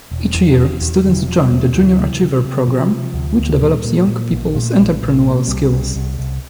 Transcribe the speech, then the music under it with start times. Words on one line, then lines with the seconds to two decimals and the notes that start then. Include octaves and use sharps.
Each year, students join the Junior Achiever programme which develops young peoples' entrepreneurial skills.
0.11 E1
0.34 E2 E3
0.57 E1
0.81 E2
1.04 E1 D3
1.16 E3
1.27 E1 F3
1.43 G3
1.52 E2
1.59 A3
1.74 D2 E3
1.98 C3
2.20 C3
2.44 C3
2.67 C3 F3
2.92 C3
3.14 D2
3.38 D2
3.61 A#2 G3
3.84 A#2
4.08 A#2
4.31 A#1
4.54 A#2 A3
4.78 A#1
5.02 A#1
5.24 A#2
5.47 C2 G3
5.71 C2
5.95 C2
6.19 C2